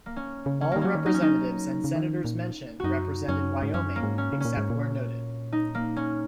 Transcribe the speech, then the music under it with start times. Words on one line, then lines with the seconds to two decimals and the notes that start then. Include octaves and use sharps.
All representatives and senators mentioned represented Wyoming except where noted.
0.06 A#3
0.16 C#4
0.46 C#3
0.61 C#4
0.72 D#3 A#3
0.81 F#3 C#4
0.95 D#3
1.06 F#3 D#4
1.14 C#4
1.22 D#4
1.84 C#3
1.96 D#3
2.25 A#2
2.80 F#2 D#4 F#4
3.28 F#2 C#4
3.62 G#2
3.74 F#2 C#4
3.96 A#3
4.03 G#2
4.18 C#4
4.33 C#3
4.40 A#2 C#4
4.57 G#2
4.70 A#2
5.52 D#4
5.75 A#3
5.96 C#4